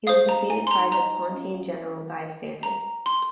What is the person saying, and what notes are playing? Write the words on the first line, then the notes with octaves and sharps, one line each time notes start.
He was defeated by the Pontian general Diophantus.
C5 F5 D#6
A#5
G#5
C6
A#5
A#5
A#5
C6